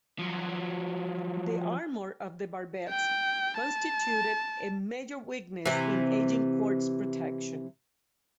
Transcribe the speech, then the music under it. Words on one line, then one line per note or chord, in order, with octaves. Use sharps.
The armour of the barbettes constituted a major weakness in "Agincourt"s protection.
F3 F#3
G5
A5
C3 E3